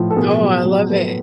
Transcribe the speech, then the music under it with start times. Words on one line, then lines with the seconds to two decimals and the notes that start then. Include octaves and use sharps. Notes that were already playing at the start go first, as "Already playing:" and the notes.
Oh, I love it.
Already playing: A2 F3
0.10 A4
0.16 B2 G#4 A#4
0.41 F#3
0.65 F#3
0.90 F#3 A4 B4